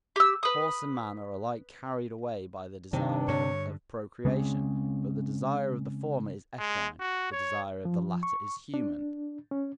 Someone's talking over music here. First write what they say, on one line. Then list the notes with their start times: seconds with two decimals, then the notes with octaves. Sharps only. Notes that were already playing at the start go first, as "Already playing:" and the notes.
Horse and man are alike carried away by the desire of procreation; but the desire of the former is equine, the desire of the latter is human.
0.16 G4 E6
0.43 B4 D#6
2.93 C3 D#3 D4 D#5
3.28 G2 D3 C#5
4.25 C#3 G#3 C4 C#4
6.59 G#3
7.00 F#4
7.32 C#5
7.85 F3
8.23 C#6
8.74 D4
9.51 C#4